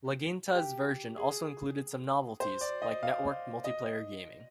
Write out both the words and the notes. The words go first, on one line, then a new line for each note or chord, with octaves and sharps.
Latinga's version also included some novelties like networked multiplayer gaming.
G4
G#4
C5
D5
D#5
F5
D#5